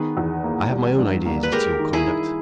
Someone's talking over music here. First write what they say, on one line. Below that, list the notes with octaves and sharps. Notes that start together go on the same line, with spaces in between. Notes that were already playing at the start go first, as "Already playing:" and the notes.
"I have my own ideas as to your conduct."
Already playing: D#3 B3 G#4 B4
E2
A#3
G3
G2
A#3
B4
G#3 G4 A#4
D#3
E4 G#4
D#4